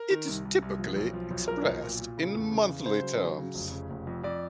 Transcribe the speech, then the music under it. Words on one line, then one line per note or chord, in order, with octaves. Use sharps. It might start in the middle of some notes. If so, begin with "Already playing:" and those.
It is typically expressed in monthly terms.
Already playing: A#4
D#3
C2
C2
C2
F3
B1
F3
B1
F3 A#4
B1
A#2
A#2
C#3
E2
C#3
C#3
C#3 C5
F#3
F#3
C#3
F1
C#3
F1
F2
F2 D5